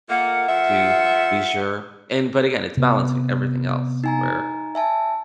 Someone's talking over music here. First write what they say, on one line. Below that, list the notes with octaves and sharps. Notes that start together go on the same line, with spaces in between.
to be sure and but, again, it's balancing everything else, where
A#2 A3 A#3 F#5
F3 A3 E5
C3 B3
D#4 G#5 A#5
E5 G#5 A5